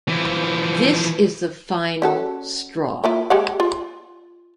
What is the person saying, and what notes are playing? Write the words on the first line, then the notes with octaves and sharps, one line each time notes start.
This is the final straw.
E3 F3
C#4 F#4 A4
A#3 E4 F4
G#3 G4 F#5
F4